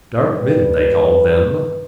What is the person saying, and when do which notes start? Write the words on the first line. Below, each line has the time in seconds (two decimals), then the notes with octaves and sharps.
Dark men they call them.
0.19 G2 B4